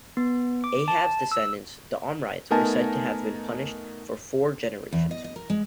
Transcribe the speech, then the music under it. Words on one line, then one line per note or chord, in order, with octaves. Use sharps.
Ahab's descendants, the Omrides, were said to have been punished for four generations.
B3
D6
A5
E6
A3 B3 D#4 A#4 G#5 A5
E2
D#5
D#5
A#4
G#3